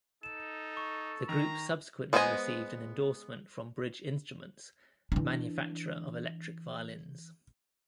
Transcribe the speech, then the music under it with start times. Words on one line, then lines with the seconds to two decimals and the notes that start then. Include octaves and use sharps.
The group subsequently received an endorsement from Bridge Instruments, manufacturer of electric violins.
0.23 D#4 A4 E7
0.77 C#6
1.29 D#3 A#5
2.13 G#3 B3 C5 D#5 G#5
5.12 E3 D4